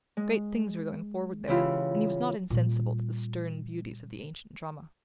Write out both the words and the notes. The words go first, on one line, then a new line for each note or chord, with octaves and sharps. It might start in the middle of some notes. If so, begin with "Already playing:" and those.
Great things were going forward there, and he was not insensible to the stern beauties of the ancient drama.
G#3
C#3 E3 E4 F4 G4
A#2 G3